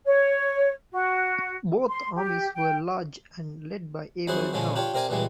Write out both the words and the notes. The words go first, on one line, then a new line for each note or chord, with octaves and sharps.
Both armies were large and led by able generals.
C#5
F#4
C6
G4
G5
F2 F#3 E4 G#4 C5 F#5
A#2 D3 F3 G#3 C#4
D4 F4 G4 C#5
C3 C4 A#4 D5 G#5
C#2 A#2 E3 G3 G#3